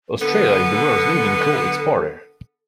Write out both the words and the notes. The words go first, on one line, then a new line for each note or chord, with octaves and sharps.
Australia is the world's leading coal exporter.
D3 B3 A4